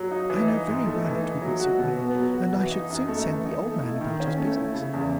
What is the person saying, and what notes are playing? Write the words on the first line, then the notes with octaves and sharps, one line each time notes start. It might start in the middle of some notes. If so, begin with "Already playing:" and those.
I know very well it wouldn't suit me, and I should soon send the old man about his business.
Already playing: F#3
D#4
E3
D#4
G#2
A3
E3
D#4
F#3
F#4
B2
B3
F#3
F#4
E3
D#4
F#2
A3
E3
D#4
A3
E4
D#3
C#4
A3
E4
C#3
E2